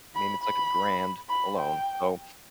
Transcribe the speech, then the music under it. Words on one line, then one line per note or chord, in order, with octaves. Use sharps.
I mean, it's like a grand alone. So
B5
B5
B5
G5